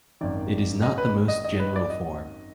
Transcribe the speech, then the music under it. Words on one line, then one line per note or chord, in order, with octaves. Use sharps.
It is not the most general form.
G#1 F#2 D#3 D5
D#5
B4
D#5
D#5
B4
D5
D#5